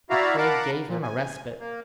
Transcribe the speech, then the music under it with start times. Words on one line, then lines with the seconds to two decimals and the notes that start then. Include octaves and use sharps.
De Craye gave him a respite.
0.10 E4 F#4 D5 E5 F5 A#5
0.37 A#4 F5 F#5 A5 B5 D6
0.87 A#2
1.03 G#5
1.59 A#3